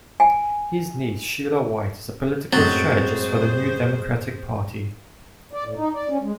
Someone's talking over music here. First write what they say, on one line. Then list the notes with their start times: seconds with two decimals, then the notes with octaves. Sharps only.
His niece Sheila White is a political strategist for the New Democratic Party.
0.20 G#5
2.53 F#2 A2 F#3 G#3 C4 G#4 C5 A6
5.53 D5
5.64 A2
5.77 D#4
5.94 D5
6.10 C#4
6.22 G#3